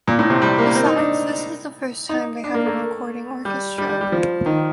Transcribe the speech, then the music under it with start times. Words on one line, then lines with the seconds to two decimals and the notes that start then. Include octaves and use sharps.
Besides, this is the first time they have a recording orchestra.
0.07 A#2
0.19 A2
0.30 C3
0.42 G3
0.58 A#3
0.75 C4
0.86 D#4
0.97 D4
2.09 D#4
2.44 D4
2.54 A#3
2.67 A3
3.45 G3
3.78 G3
3.89 G3
4.01 G3
4.12 F3
4.46 D#3